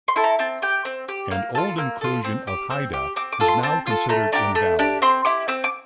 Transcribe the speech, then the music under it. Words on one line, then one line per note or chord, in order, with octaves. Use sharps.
An old inclusion of Haida is now considered invalid.
C6
E4 A4
A#5
C4 A5
G4 G5
C4
G4
A#3 F5
F4 A4 A5
A#3 E6
F4 A4
C4
G4
C4 E6
G4
C4 D6
D6
F4 A4
C6
C4 A5
F4 A4
A3 A#5
D4 G4 A#5
A3
D4 G4
C4 C6
E4 G4 D6
C4 E6
D6